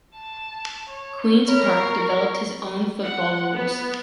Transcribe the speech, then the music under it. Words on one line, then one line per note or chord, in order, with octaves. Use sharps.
Queen’s Park developed his own football rules.
A5
C#5
A#4 C#5 B5 F6
C#6 C7
F#5
B3